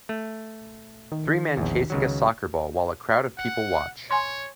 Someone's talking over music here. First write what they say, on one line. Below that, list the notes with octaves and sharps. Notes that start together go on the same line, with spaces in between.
Three men chasing a soccer ball while a crowd of people watch.
A3
D#3
A#1 E2
C#2 C#3 F#3
F#5
C#5 G#5 C6